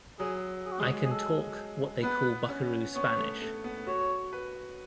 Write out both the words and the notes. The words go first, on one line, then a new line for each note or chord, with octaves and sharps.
I can talk what they call buckaroo Spanish.
F#3 G#4
G#4
F#4
G#3 G#4
G#4
A4
B3 B4
C#4
B3 C#5
A3
A3
B3
F#4 C#5
B4